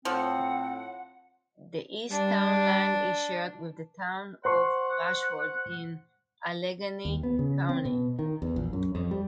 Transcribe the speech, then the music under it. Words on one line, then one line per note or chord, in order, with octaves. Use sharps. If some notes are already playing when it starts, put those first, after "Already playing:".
The east town line is shared with the town of Rushford in Allegany County.
A2 F3 C4 F#5
G3 D4
C5 F#5 C6 C#6
D#2
B3
C#3
C4
B2
D#3
E2
A#1
F#2
F2
G3